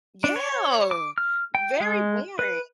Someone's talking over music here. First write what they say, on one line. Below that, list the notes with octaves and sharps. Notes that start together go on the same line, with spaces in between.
Yeah! Very boring.
D4
C#5
D6
F6
G5
G#3
B4